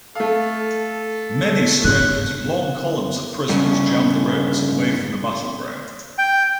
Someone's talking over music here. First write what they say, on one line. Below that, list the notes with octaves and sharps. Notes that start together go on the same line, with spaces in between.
Many surrendered-long columns of prisoners jammed the roads away from the battleground.
A3 A4 F5
G#2 D4 F#6
G2 C#3
G5